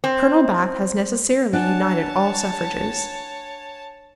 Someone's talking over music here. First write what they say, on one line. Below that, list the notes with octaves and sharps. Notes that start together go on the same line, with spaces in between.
Colonel Bath has necessarily united all suffrages.
C4
D4 C#5 F#5 G#5 A5 F#6